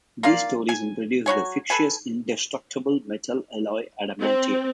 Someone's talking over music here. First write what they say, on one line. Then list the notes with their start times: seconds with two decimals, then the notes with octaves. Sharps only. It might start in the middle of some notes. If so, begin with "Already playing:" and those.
These stories introduced the fictitious indestructible metal alloy adamantium.
0.23 A#3 F4 D5 F5
0.69 G#5
1.26 F#3 D#4 C#5 G#5
1.70 A4 B4 G#5
4.20 C4